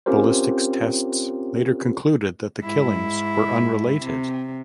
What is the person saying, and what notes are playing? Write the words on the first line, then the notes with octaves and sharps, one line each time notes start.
Ballistics tests later concluded that the killings were unrelated.
C4 C#4 F4 G4 A#4 C5
G#2 E4
C3